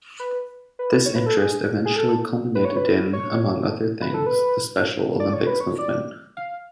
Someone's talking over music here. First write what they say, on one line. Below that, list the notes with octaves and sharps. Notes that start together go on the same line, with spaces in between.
This interest eventually culminated in, among other things, the Special Olympics movement.
B4
B4
C#5
B4
A4
G#4
G#4
A4
B4
C#5
B4
C#5
B4
A4
B4
D5
C#5
B4
C#5
D5
F5